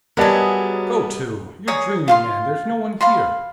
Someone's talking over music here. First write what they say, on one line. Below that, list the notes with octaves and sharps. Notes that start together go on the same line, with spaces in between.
'Go to!--you're dreaming, man!--there's no one here.'
F#3 G3 B3 G#4 A#4 D5 D#5 A5
G#4 C#5 A#5 D#6
F4 F5 C6
F5 B5 C6